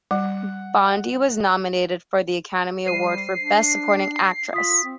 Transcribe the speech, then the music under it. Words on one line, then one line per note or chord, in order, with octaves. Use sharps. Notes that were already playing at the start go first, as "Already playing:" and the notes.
Bondi was nominated for the Academy Award for Best Supporting Actress.
G3 F#5
G3 C5 C7 D#7
D4
F4 D#6 B6
C4